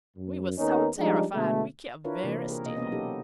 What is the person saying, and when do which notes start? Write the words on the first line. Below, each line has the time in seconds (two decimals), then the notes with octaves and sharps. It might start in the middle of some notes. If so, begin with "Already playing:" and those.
We were so terrified we kept very still.
0.17 F#2
0.57 D#2 B3 C#4 D#4 A#4
0.98 F3 G3 G#3 D4 D#4
1.33 B2 D3 G#3 A3
2.04 D4 E4 F4 A#4 B4 C#5
2.24 C3 E3 A#3 C4
2.48 G#4 A#4
2.65 B2 A#3 D#5
2.76 A#3 B3 C#4 D#5
2.92 F#3 C#4 D#4 G4 A4